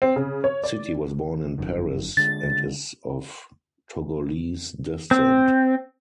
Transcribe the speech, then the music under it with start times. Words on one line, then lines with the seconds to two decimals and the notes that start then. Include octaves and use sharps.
Sitti was born in Paris and is of Togolese descent.
0.02 C4
0.16 C#3
0.44 C#5
0.64 D5
1.58 G1 F#2 D#3
2.17 D3 G#3 A6
5.11 C4